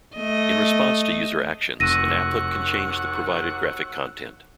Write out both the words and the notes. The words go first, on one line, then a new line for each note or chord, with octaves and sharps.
In response to user actions, an applet can change the provided graphic content.
A3 D#5
F1 D#2 F#4 F#5 E6 A#6 D#7